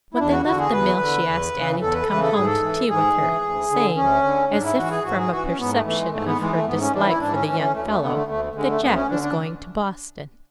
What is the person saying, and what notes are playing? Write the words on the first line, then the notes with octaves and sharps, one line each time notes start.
When they left the mill she asked Annie to come home to tea with her, saying, as if from a perception of her dislike for the young fellow, that Jack was going to Boston.
E4
E2 D4
F#4
D3 F#4
G#4
E2 B4
D3
E2
C#3 E3
E2 A4
B4
A4
C#3 E3 B4
A4
G#2 G#4
A4
E3
G#2 G#4
E3
D2
D3
D2 C#4
D3
G#2 D4
E4
E3 F#4
G#4
G#2 F#4
G#4
E3 F#4
C#4
G#2 B3
A3
E3 A3
G#3
G#2 A3
B3
E3 G#3
A3
G#2 B3
C#4
E3 D4
E4
G#2 D4
C#4
E3 C#4
C#4
D2 A3
A3
D3 B3
A3
D2 A3
D3 G#3
A3
D2 B3
C#4
D3 D4
D4